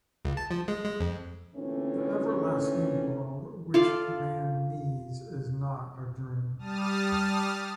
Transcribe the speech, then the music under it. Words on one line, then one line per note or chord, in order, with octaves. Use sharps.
The everlasting world which man needs is not a dream.
C#2
A5
F3
G#3
G#3
F2
A#2 D3 E3 A3 C4 C#4
F4 A4 D5 F5
G3 A5 D#6 F6